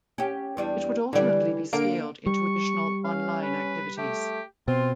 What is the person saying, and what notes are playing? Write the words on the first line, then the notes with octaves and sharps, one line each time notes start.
It would ultimately be scaled into additional online activities.
C#4 G4
E2 G3 D4
D3 E3 G3 D5
D3 A#3 F5 D7
G3 C#6
C#4 F5
B4
A3 G4
B2 C4 F4